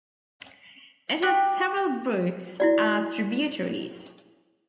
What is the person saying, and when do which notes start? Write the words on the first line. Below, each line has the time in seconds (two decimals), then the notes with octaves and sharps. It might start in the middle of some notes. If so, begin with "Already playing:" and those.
It has several brooks as tributaries.
1.22 G4 F#6
2.60 E4 F#4 D5